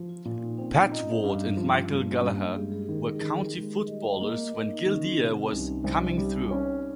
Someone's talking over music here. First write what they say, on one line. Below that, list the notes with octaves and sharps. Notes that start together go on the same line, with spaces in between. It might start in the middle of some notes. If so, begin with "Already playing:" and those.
Pat Ward and Michael Gallagher were county footballers when Gildea was "coming through".
Already playing: F3
F4
A#2 F4
D#4
C4 C#4
D#4
D#4 F4
G#4
G2 C#4
F3
G2 A#3
G2
G#3 G4
G#4
G#4
D#3 A#4
A#4
G#4
D#3
G4
G#4
G#3
G3 D#5
D#5
A#3
A#3
D#4
D#4
D#3 C#4
C4
C3 C4
D#4
C2 C#4
C2
G3
C#4